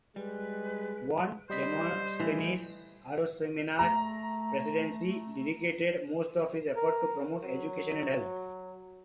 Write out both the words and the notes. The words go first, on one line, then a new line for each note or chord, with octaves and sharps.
Juan Demostenes Arosemena's Presidency dedicated most of his efforts to promote education and health.
G3 G#3 B4
G3 C5 D#5 B6
A2 E3
A3 A#5
A#4
F#3